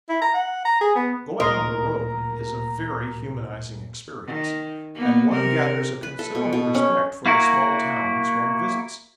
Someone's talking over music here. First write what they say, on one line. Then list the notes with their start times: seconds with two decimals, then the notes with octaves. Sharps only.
Going on the road is a very humanizing experience and one gathers a considerable respect for the small towns one visits.
0.09 E4
0.22 A#5
0.34 F#5
0.65 A#5
0.81 G#4
0.95 B3
1.40 D2 A#2 A#4 D#5 A#5 C6
4.26 D#3
4.95 A#3 B3
5.30 C3 A#4
6.03 B4
6.19 A4
6.35 B2
6.53 B2
6.75 C#4
7.26 A#3 E4 F#4 A#4